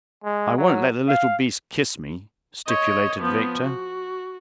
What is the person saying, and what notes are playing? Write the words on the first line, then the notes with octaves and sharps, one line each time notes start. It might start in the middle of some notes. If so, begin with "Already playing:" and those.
"I won't let the little beast kiss me," stipulated Victor.
G#3
F#3
F5
C#5 D#5
F3 B3
F#4